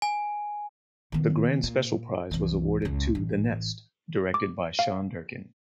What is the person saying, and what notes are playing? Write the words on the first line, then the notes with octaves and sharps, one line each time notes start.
The Grand Special Prize was awarded to "The Nest" directed by Sean Durkin.
G#5
D#3 B3
A#2
C2 E3
C#2 F#2
A1
D6
F5